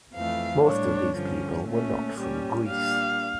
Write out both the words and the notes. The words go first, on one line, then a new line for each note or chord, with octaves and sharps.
Most of these people were not from Greece.
F2 E3 A3 F5
A2 G3 D4 C#5
G2 D3 F3 C#4
A#2 A3 C#4
A#2 G3 C#4
A#2 G3 D4 F5